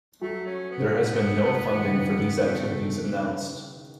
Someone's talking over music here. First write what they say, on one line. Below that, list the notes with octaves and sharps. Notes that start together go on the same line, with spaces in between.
There has been no funding for these activities announced.
F#3 A3
C#4
B3
E3
D#3
C#3
D#3
C#3
B2 A3
C#3